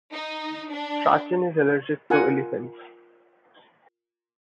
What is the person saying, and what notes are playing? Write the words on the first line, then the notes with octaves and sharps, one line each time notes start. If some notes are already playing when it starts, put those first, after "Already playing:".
Strachan is allergic to elephants.
D#4
D4
F4 A#4 F#5 G#5